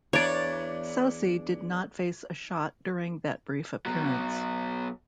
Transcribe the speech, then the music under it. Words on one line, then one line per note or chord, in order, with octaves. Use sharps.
Soucy did not face a shot during that brief appearance.
E2 D4 C#5 D5
B2 F#3